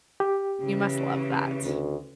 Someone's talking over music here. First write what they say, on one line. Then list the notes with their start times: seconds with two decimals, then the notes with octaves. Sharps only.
You must love that.
0.20 G4
0.62 C#3 E3
1.63 D2